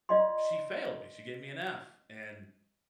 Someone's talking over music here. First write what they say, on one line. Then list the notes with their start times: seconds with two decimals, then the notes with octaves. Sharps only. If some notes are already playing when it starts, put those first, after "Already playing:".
She failed me, she gave me an F, and,
0.09 F4 D5 D#5 G5 C6